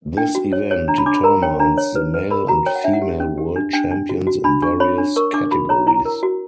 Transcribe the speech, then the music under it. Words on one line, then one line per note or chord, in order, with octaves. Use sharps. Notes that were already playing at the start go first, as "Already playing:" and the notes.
This event determines the male and female world champions in various categories.
D4 G5
F#4
C#5
C#5
D4 A#5
B5
D4 D6
B5
A#4 A#5
C#5 G5
D4 A#5
C#5
B4
B4
A#4 B5
F#4 A#5
C#5 G5
F#5
D4 E5
F#5
G4
C#4
G4
D4
D4 G5
D4
F#4
F#4
D4 B5
D4 C#6
C#5 B5
D4
A#4 C#6
D4 D6
F#4 B5
C#5 A#5
E4 A#5
A#4
F#4